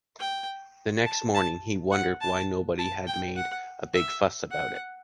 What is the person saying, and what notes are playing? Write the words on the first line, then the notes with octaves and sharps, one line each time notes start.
The next morning, he wondered why nobody had made a big fuss about it.
G5
A5
A5
F#5
A5
A5
G5
F#5
E5
F#5